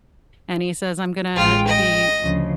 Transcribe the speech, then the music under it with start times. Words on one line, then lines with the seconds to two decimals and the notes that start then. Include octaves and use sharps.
and he says, "I'm gonna be
1.36 A1 G#3 F4 G5
1.67 D#5
2.20 D2 C#3 F3